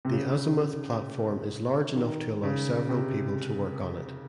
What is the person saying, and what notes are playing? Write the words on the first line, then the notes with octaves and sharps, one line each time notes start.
The azimuth platform is large enough to allow several people to work on it.
C3
C#3
D#3
C#3
C3